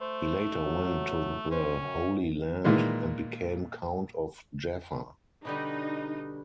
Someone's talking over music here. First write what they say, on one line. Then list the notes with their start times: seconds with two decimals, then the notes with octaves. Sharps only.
He later went to the Holy Land and became Count of Jaffa.
0.01 A3 C5
0.65 F#3
1.51 C#4 C5
1.84 F#2
2.64 A#2 D#3 E3 G#3 A#3
5.45 B2 D3 G3 D#4